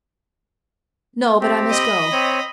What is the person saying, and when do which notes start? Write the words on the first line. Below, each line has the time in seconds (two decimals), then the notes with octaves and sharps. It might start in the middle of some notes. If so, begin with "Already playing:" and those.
"No, but I must go."
1.41 C4 G4
1.70 D#5 B5
2.12 C4 C#5